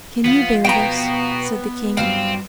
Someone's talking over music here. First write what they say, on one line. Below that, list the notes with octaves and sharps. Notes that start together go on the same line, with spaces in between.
"Can you bear this?" said the king.
F3 B3 F4 F5
B2 B3 G5 A#5
G2 F#3 G3 C4 F5